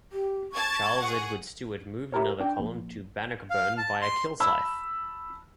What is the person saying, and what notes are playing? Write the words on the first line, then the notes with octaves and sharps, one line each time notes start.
Charles Edward Stuart moved another column to Bannockburn via Kilsyth.
G4
A5 C#6 G#6 A6
G#4 F#5
E4 G4 A#4 C#5
D4 G5
A#1
F5
A5
C6
A5 B5 E6